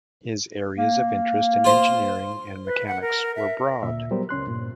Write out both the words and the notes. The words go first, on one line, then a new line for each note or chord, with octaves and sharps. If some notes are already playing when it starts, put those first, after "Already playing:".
His areas of interest in engineering and mechanics were broad.
A#3
F4 C5
B4
F#5
A#4
E5
D2 A#2 E5
F#3 G3 B3 G4 A#4 C5
C#2 C#4 C6 F#6
G2 A#2